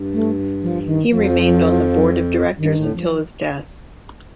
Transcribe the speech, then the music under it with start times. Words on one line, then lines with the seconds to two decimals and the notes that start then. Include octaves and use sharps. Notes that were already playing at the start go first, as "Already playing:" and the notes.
He remained on the board of directors until his death.
Already playing: G2
0.13 A3
0.62 F3
0.86 D#3
1.11 F2 F3
2.58 G2 D#3
2.76 A2
2.85 F2
2.94 G2 F3